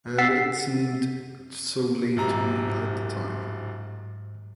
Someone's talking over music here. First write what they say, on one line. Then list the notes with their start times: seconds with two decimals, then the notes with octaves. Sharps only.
And it seemed so lame to me, at the time.
0.18 F#5 E6 A6 B6 C7
2.17 D1 G#2 C3 A#5